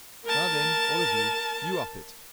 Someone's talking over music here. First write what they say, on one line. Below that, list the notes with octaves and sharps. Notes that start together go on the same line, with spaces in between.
'Now then, all of you, you 'op it.
A#4 A5